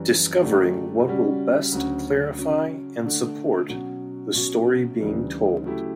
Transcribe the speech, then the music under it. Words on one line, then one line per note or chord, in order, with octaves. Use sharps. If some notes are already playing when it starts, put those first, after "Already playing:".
Discovering what will best clarify and support the story being told.
Already playing: F#2 E3 G3 C#4
F#2 D3 A3 D4 G4
C#3 G3 C#4 F#4
D2 C#3 F#3 C#4 F#4
C#3 F#3 C#4
D3 A3 D4
B2 F#3 C#4 F#4
B2 F#3 C#4 F#4
D2 C#3 E3 G3
C#3 F#3 A3 E4 G4